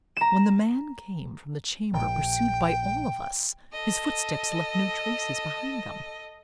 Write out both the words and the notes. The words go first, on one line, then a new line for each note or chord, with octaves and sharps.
When the man came from the chamber, pursued by all of us, his footsteps left no traces behind them.'
A#5 E7
A#1 G5
A4 D#5